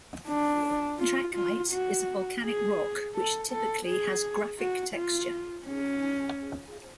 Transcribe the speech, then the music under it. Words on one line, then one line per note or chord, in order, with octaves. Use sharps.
Trachyte is a volcanic rock which typically has graphic texture.
D4
F4
F4
F#4
G#4
A4
A4
G#4
F#4
F4
C#4